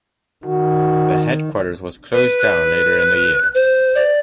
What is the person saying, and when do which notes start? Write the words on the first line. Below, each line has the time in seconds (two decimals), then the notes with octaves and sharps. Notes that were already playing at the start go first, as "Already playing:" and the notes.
The headquarters was closed down later in the year.
0.46 D#3 F#4
2.13 B4
2.39 F#6
3.55 C5
3.95 D5